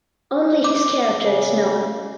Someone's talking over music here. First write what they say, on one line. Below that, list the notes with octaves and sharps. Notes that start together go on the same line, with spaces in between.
Only His character is known.
D6
C#3